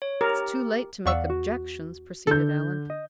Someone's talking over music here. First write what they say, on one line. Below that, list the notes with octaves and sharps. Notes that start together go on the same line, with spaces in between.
"It's too late to make objections," proceeded Allan.
C#5
G4 A#4
E2 D5 F5 F#5 C#6 E6
F#4
D3 A4 G6
D#5